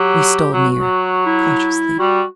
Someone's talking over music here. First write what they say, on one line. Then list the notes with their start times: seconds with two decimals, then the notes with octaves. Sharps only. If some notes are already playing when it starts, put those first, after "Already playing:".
We stole near, cautiously.
Already playing: F#3 G4
0.53 F#3 F#4
0.81 F#3
1.26 E4
1.99 G3 F#4